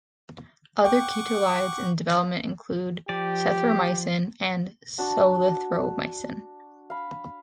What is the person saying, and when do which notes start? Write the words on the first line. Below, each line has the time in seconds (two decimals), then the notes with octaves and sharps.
Other ketolides in development include cethromycin and solithromycin.
0.85 F#5 G5 C#6 D6
3.09 F3 G4 D5
4.98 D4 F#4 A5
6.90 F5 B5